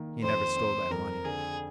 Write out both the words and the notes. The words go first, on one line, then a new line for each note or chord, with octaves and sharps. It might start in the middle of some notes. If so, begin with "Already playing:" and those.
He never stole that money.
Already playing: D#3 A#3
F2 C5
C4
F2 A#4
D3 G#4